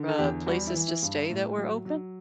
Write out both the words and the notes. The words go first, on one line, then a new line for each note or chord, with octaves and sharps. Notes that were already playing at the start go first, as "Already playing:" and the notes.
uh, places to stay that were open?
Already playing: D3
A4
E2 G4
G3 F#4
E4
E3
E4
G2
A2
F#3
F#3